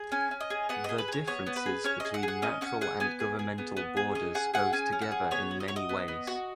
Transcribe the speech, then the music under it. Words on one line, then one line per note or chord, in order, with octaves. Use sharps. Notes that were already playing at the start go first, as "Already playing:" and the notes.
The differences between natural and governmental borders goes together in many ways.
Already playing: G#4
C#4 G#5
C#4
D#5
G#4
B3 F#5
G#4 D#5
B4
G#4 C#5
B3 C#5
B3
B4
G#4
C#4 C#5
G#4 D#5
F#5
G#4
F#5
C#4 D#5
C#4 F#5
G#4 F#5
B3 G#5
G#4
G#4
B3
B3
G#4
C#4 D#5
G#4 F#5
G#4 F#5
C#4 G#5
C#4
F#5
G#4
B3 C#5
F#4
D#5
F#4 C#5
D#5
B3
B3
F#4